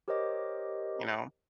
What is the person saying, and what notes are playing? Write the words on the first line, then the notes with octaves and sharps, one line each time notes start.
You know?
G4 A#4 C5 C#5 D#5 D6